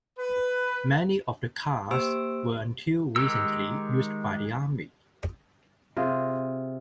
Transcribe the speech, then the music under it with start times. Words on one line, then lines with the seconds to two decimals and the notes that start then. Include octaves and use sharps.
Many of the cars were until recently used by the army.
0.18 B4
1.91 A#3 G4 C5 E6 D7
3.16 D#3 G#3 G4 A#4 E6
5.96 C3 F4 G#4